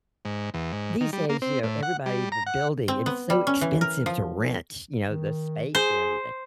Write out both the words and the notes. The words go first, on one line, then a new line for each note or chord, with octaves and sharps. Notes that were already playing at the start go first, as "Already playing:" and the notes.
these days, you know, everybody in the building, it was so expensive to rent, you know, the space and everything,
G#2
E2
G#2
D#3
G3
A#3
C4
A2
F#5
G3
A#5
F#5
C4
B3
G3
C#4
E3
A#4
F3
D#3
G#4 C5